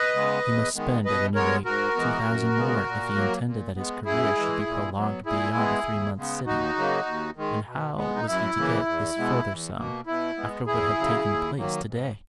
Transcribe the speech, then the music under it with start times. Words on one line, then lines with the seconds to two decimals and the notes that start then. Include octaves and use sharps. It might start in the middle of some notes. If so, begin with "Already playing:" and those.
He must spend, at any rate, two thousand more if he intended that his career should be prolonged beyond a three months' sitting;--and how was he to get this further sum after what had taken place to-day?
Already playing: B4 D#5
0.15 C#3 G#3 B3
0.45 E2
0.75 D#3 G#3 B3
1.05 B2 B4 D#5
1.35 G#3 B3 A#4 C#5
1.65 G#2 F#4 A#4
1.95 E3 G#3 B3
2.25 F#2
2.55 C#3 G#3 B3
2.86 A#2
3.15 F#3 A#3
3.45 A#2
3.76 G#3 B3
4.05 F#2 E4 G#4
4.36 E3 G#3
4.66 A#2
4.96 F#3 B3
5.26 A#2 E4 G#4
5.56 G#3 B3
5.86 D#2
6.16 C#3 G#3 B3
6.46 D#2 D#4 F#4
6.76 C#3 F#3 A#3
7.06 D#2
7.36 D#3 G#3
7.66 B2
7.96 G#3 B3
8.16 D#4
8.26 F#2 E4
8.57 C#3 E3 A#3
8.86 E2
9.17 B2 G#3 B3
9.47 E2
9.77 B2 A#3
10.07 B2 E4
10.37 G#3 B3
10.66 E2 E4 G#4
10.98 C#3 F#3
11.27 D#2
11.57 D#3 F#3 A#3
11.88 G#2